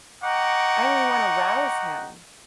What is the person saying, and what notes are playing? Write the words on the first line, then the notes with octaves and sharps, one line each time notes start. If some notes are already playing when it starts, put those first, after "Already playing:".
I only want to rouse him.
D#5 F#5 G5 A#5 C#6 D6